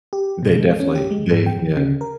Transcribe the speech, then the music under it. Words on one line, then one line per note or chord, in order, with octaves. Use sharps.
They definitely they Yeah.
G4
B2
G#3
C#4
G4
G#3
G#2
G5
F3
C#3
A#4